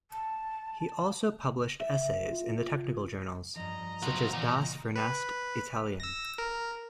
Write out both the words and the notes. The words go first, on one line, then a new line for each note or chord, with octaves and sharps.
He also published essays in the technical journals, such as Das fernste Italien.
A5
E5
F4
G2 F3 D#5 A#5
B2 F3 F#3
A#2 E3
B4
E6 A#6
A#4